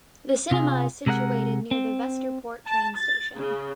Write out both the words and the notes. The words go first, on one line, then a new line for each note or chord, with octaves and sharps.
The cinema is situated near the Vesterport train station.
C3 F4 G#4
C3 G#3 A#4 E5 F#5
C4
A5
A6
C#3